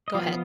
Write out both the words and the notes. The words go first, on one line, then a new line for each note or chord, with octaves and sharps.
Go ahead.
D#5
F3 B3 F4 F5